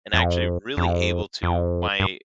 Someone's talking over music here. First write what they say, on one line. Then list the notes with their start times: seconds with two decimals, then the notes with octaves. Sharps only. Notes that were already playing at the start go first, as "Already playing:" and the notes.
and actually really able to my,
0.13 F2
0.77 F2
1.43 F2
2.00 G2